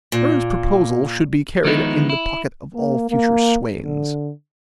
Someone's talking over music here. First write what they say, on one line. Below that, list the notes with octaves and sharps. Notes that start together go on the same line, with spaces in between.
Bernard's proposal should be carried in the pocket of all future swains.
A#2
D#3 F3 G#3 B3 D#4 E4
E4
A#3
A#3
D3